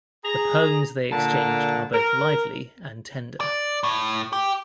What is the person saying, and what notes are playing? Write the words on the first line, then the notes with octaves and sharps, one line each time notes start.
The poems they exchanged are both lively and tender.
G#4 A#5
A#2 D3 A5 A#5
A#4
D5
A2
G4